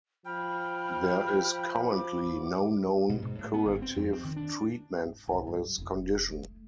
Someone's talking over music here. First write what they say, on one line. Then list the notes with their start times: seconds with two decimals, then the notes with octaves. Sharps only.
There is currently no known curative treatment for this condition.
0.26 F3 G5 B5 F6
1.90 D6
3.09 B2
3.22 G#2
3.39 A2
3.53 B3
3.65 G1
3.82 C4
3.96 F2
4.13 C4
4.24 D#3
4.36 D4
5.06 G#2
5.28 C2 G2
5.47 G2 F#3
5.78 F1 F4
6.30 A3